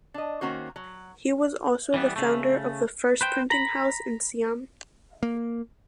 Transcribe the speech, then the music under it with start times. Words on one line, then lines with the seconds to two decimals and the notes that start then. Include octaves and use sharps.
He was also the founder of the first printing house in Siam.
0.14 D4 D#5
0.41 D#3 G3 A#3 C#4 F#4 C5
0.76 F#3
1.94 E3 G3 B3
2.16 C#3 A3
3.21 B4 C5 G5
3.50 A#5 B5
5.23 A#3